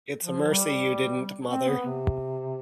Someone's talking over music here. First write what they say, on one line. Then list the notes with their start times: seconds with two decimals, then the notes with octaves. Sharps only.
It's a mercy you didn't, mother!
0.24 F3
0.51 G3
1.50 C4
1.67 B3
1.86 C3